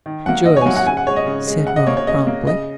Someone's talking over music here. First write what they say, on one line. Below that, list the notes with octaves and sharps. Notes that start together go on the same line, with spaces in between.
"Joyce," said Rob, promptly.
D#3
F#3 A#3 F#5
D#3 D#5
C#5 G#5
F#3 A#3 F#5
F#5
C#3 G#5
F#5
G#3 C#5
D#5
C#3
G#3
C#3 F#5
D#5
A#3 C#5
C#5
C#3 D#5
A#3
C#3 D#5